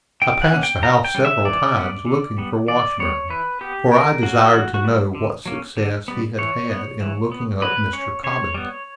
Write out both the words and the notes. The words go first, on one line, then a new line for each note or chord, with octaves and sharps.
I passed the house several times, looking for Washburn, for I desired to know what success he had had in looking up Mr. Cobbington.
D3 G5
F#5
A#3 C#4
G5
D3 A#5
G5
G3 C#4
E5
E3 D5
G3 B3
D3
G3 B3
E3 D5
G3 B3 C#5
E3 B4
B3 G4
D3 A#4
A#3 C#4 F#4
E3 F#4
F#4
G3 B3
D3
F#3 A#3 C#4
D3
G3 B3
E3 C#5
B3
E3
B3
F#3 B4
C#4 C#5
C#3 C#5
G3 B3